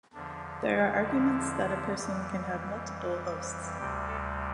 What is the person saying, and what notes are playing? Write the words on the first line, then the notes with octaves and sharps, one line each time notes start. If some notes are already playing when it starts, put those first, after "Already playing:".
There are arguments that a person can have multiple hosts.
E2 D3 F3 D4
E4
F2 E3 G3
D2 C3 G3 G4
A4